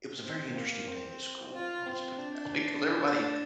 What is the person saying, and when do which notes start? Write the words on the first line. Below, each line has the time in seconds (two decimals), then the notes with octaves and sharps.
it was a very interesting day at school, I'll just put it that way, 'cause everybody
0.23 C4
0.55 A#3
0.88 C4
1.54 F4
1.86 C4
2.18 D4